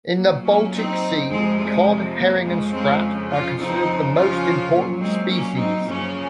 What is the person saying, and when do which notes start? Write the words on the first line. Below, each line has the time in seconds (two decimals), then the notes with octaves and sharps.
In the Baltic Sea, cod, herring, and sprat are considered the most important species.
0.16 A#2 F#3 A#3
0.44 A#3 C#4
0.73 C4 D#4
1.30 F2 C3 F3 G#3 C4
1.58 G#3
2.16 A#3
2.44 F2 C#3 F3 G#3
2.72 G#3 C4
3.29 C#4 F4
3.58 F2 C#3 F3 C4 D#4
4.15 C#4 F4
4.72 A#2 F#3
5.00 G#3 C4
5.29 A#3 C#4
5.57 C4 D#4
5.85 F#2 C#3 F3 A#3 C#4